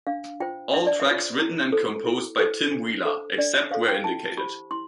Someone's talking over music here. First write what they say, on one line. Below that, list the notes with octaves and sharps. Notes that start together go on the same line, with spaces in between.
All tracks written and composed by Tim Wheeler; except where indicated.
D4 F5
F4 C5 G5
D4 E5
D5
E5
F4 C5
E4
A4 C5
E4
A4 C5
D4
A4 C5
D4 D5
E5
A4 C5 F5
G5
E4 A5
G4 C5 B5
E4 C6